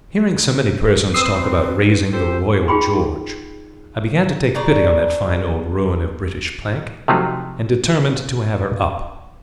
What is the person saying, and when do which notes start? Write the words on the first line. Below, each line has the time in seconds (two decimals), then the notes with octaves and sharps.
Hearing so many persons talk about raising the "Royal George," I began to take pity on that fine old ruin of British plank, and determined to have her up.
1.14 C4 B4 D#6 E6 C7
2.12 F4 G4 A4 C5
2.68 D#4 F4 G#4 G5 B5 C6
4.55 C#3 D4 D5 A#5
7.08 C3 F3 F#3 A3 D#4 F4